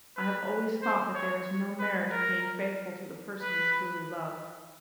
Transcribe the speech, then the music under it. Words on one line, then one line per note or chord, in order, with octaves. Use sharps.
I have always thought that there is no merit in being faithful to the person we truly love.
B4
C5
C#5
B4
A#4
B4